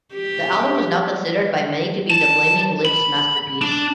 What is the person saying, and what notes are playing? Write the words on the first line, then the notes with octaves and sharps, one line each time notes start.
The album is now considered by many to be the Flaming Lips's masterpiece.
G4
A5
B5
D4